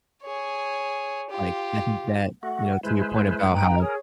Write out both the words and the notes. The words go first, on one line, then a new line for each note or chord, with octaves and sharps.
Like, I think that, you know, to your point about how
G#4 C#5
F4 G4
A3 F#4 F#5
G#3 E4 B4 C5
D#4 B4 G5 A#5
G#4 A#4 C#5